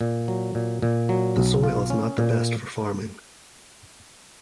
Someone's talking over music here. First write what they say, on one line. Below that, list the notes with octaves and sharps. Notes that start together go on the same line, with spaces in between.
The soil is not the best for farming.
A#2
F#3
A#2
A#2
F#3
B1
F4
C#4
A#2